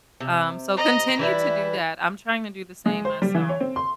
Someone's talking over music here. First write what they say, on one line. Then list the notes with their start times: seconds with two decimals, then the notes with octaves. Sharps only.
um, so continue to do that. I'm trying to do the same myself.
0.20 C3
0.76 D#5 A#5
1.19 E3 G3 E4 B4
2.86 G#3
3.05 C5
3.22 G3
3.35 E3
3.49 C#5
3.61 C4
3.76 C6